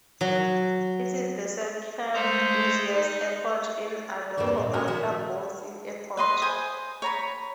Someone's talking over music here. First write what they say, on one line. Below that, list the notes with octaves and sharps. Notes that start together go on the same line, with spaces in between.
It is the second-busiest airport in Idaho after Boise Airport.
F#3
G#3 A3 A4 C5 A#5 D#6
D#4
E2 G2 A3 A#3 C4
A#2
C#4 F#4 A4 A#4 C#5 D#5
D#3 F3 F#4 E5
B4 D#5 C6
C5 G#5 D#6
C#5 A#5 B5